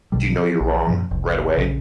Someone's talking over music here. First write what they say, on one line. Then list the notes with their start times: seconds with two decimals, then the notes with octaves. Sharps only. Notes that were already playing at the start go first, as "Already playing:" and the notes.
do you know you're wrong right away?
0.12 B1 B2 D3 G3
0.35 F3
0.61 A#1
0.87 F#2 A#2 F3
1.11 F1 C2
1.57 A#1 C#3